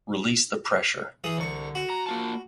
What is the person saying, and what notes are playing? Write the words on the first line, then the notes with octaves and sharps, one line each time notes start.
Release the pressure.
E3 G#4 D#6
C2 D3 C#6
F#4
A#5
A#3 F4 A5